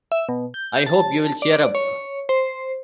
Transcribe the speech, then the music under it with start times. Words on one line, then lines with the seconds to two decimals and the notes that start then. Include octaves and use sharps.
I hope you'll cheer up.
0.12 E5
0.29 B2
0.54 G6
0.86 A5
1.42 D5
1.75 C#5
2.29 C5